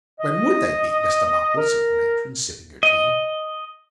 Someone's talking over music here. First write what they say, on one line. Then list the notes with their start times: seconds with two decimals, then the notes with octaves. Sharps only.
When would they be, Mr. Bumble?' said the matron, sipping her tea.
0.20 D#5
1.58 A#4
2.83 D#5